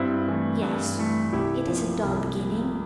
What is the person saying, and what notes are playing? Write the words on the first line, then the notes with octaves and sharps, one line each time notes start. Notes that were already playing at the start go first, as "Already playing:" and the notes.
'Yes, it is a dull beginning.
Already playing: G2 C4 E4
E3 A3
G2
E3 A3
C2 E4 G4
A#2 F3
C2
A#2 F3